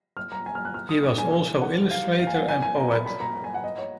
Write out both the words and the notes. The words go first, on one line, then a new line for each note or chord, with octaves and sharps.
He was also illustrator and poet.
F6
A#5
G#5
F6
F#6
F6
D#6
D#6
G#5
F#5
F5
F5
G#5
F#5
G#5
G#5
A#5
B5
B5
A#5
A#5
G#5
F#5
D#5
C#5